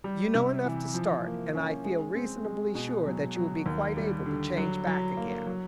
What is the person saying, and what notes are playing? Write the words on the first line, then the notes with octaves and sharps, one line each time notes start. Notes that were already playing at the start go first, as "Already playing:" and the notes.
You know enough to start, and I feel reasonably sure that you will be quite able to change back again.
G3
C3
E3
F3
A#3
C#4
G#3
C4
G#3
B2
F#3
F#3
D#2
G3
D3
F#3
F#3
A#3
F#3